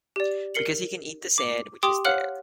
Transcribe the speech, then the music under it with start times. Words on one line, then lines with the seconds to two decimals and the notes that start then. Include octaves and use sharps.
Because he can eat the sand which is there.
0.16 G4 D5
0.54 A#4 C7 C#7 F#7
1.38 D6
1.83 G4 G5 C6 D6 D#6
2.05 C#5 F5 F#5 F6 F#6 F#7